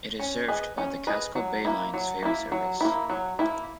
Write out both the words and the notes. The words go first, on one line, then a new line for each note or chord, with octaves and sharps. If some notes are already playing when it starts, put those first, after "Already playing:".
It is served by the Casco Bay Lines ferry service.
C#4
G#4 B4 D#5
C#4
G#4 B4 D#5
F#3
A#3 E4
F#3
A#3 E4
F#3
A#3 E4
F#3
A#3 E4